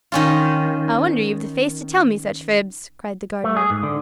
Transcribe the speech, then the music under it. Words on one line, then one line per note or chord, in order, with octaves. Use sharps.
"I wonder you've the face to tell me such fibs!" cried the Gardener.
D#3 C#4 F4
A3
G#4
G#2
D3